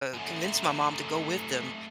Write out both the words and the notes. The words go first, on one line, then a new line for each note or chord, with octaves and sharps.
uh, convince my mom to go with them,
F#2 A3